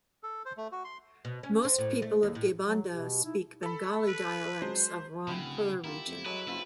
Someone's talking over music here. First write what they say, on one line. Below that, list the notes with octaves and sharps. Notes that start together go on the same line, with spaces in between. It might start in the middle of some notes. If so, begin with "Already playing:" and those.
Most people of Gaibandha speak Bengali Dialects of Rangpur Region.
A4
C5
A3
F#4
C6
B2
C#4
C4
A2
A3
D#2
A2
F#3
B2 G4
D#4 E4
A4 B5
B4
F#3 G#3 C5 A5
D1 C#3 E4 F#5 G5
F#1 E4 F4 G4 A#4
F2
F#3 G#3 A4 B4 D#6
F#1 C4 E4 F4 E5